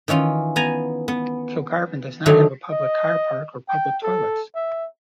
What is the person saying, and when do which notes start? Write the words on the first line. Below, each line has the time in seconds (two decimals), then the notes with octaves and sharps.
Kilgarvan does not have a public car park or public toilets.
0.08 D#3 E3 C#4 F4
0.56 B3 G#5 A#5
1.08 B3
2.26 D3 D#3 F#3 A3
2.72 D#5
3.69 G5
4.02 A4
4.55 E5